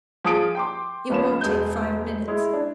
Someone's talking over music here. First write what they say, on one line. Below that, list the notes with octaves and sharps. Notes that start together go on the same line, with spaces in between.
It won't take five minutes.
F3 G#4 D#6 D7
G5 C6 D6
C#2 F3 B4 C#5 E7
E1 G#3 G6
G#3 E4
D4